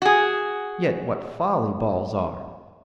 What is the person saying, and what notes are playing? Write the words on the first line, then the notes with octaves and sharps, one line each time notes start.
Yet what folly balls are!
F#4 G#4